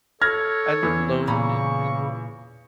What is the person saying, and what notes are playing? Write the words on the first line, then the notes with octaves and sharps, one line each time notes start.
I live alone and and
A4 C#5 F6 G#6 A#6
E2
A#2 C#3 A#5 B5 C#6